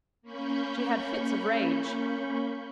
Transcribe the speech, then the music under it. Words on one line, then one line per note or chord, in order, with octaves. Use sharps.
She had fits of rage.
A#3 C#4 B5 C#6 G6